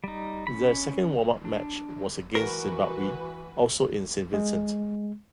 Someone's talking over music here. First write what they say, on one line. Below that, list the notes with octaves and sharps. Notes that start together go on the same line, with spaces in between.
Their second warm-up match was against Zimbabwe, also in Saint Vincent.
G3 D#4
C#4 B5
D4
E3 F#4 A#4 B4
G#3